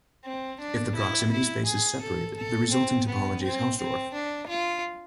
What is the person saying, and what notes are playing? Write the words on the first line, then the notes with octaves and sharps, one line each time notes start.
If the proximity space is separated, the resulting topology is Hausdorff.
C4
D4
E4
E4
G#4
A4
A4
C4
B3
C4
C4
D4
F4